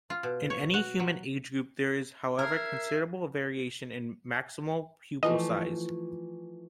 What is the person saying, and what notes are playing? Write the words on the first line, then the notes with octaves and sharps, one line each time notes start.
In any human age group there is however considerable variation in maximal pupil size.
F4
B2
C#5
F#4
F#3
A#4 E5 G#6 C7
E3 F3 A3 D#5